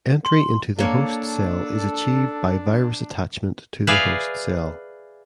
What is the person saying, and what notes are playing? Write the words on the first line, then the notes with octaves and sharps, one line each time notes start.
Entry into the host cell is achieved by virus attachment to the host cell.
C6
A#3 D4 A4 C#5
G#4 B4 D5 E5 F5